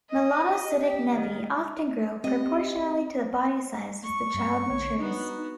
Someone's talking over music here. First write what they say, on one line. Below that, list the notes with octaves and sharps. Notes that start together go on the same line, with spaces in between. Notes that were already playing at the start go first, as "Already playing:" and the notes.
Melanocytic Nevi often grow proportionally to the body size as the child matures.
D#5
G4
D#3
C4 G4 D#5
C#6
G2 A#3
A#1 D3 G#3 C#5
B3 D4 D#4 F#4